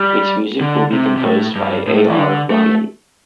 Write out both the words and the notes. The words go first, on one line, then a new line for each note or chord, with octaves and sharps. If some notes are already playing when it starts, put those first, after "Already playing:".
Its music will be composed by A. R. Rahman.
Already playing: G3
D3
C3
C3
A2
G2
A2
E3
D3
A3